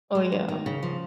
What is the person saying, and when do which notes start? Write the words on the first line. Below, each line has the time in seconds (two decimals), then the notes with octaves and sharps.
Oh, yeah.
0.15 G#3
0.32 E2
0.49 D#3
0.66 C#3
0.83 F3